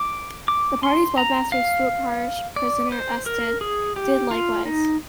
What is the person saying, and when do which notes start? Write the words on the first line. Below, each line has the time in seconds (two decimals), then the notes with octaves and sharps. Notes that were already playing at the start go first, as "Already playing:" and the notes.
The party's webmaster, Stuart "Parish Poisoner" Estell did likewise.
Already playing: D6
0.48 D6
0.83 C6
1.18 A#5
1.52 F5
2.56 D5
2.92 C5
3.26 A#4
3.61 G#4
3.96 G4
4.31 F4
4.66 D#4